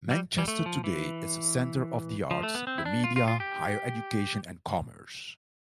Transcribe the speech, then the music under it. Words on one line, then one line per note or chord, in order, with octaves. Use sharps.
Manchester today is a centre of the arts, the media, higher education and commerce.
G3
G3
A3
F3
E3
F3
A3
B3
C4
E4
D4
F4
F4
F4
G4